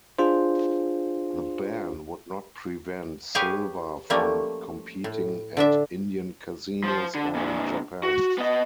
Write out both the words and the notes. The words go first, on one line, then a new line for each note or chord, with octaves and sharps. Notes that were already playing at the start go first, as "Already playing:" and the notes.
The ban would not prevent Silva from competing at Indian Casinos or in Japan.
D4 F4 G#4 C5
G4 G#4 B4 C#5 F5
F3 G3 A3 A#3 C#4
A2
D3 D4 E5
F3 C5
D3
A#2 D3
F#4
B3 D#5